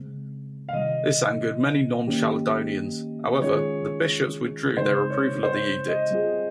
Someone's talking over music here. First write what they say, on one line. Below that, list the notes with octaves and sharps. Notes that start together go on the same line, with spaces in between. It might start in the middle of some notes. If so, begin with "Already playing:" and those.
This angered many non-Chalcedonians, however, and the bishops withdrew their approval of the edict.
Already playing: C#3 G#3 C4
F5
C3 D#3 G3 D#5
D#3 A#3 C#4 G4
D#3 G#3 C#4 F4 G#4 C#5
C#3 G#3 C4 D#4 C5
C#5
C5
D#5
G3 C4 F4 G#4